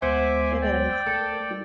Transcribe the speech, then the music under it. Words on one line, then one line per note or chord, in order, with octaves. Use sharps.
It is.
D2 G#3 B3 C5 E5 F#5 G#5 D6
D5 G5
C6 E6 G6
A3 A4 A#4
G3 D#4 F#4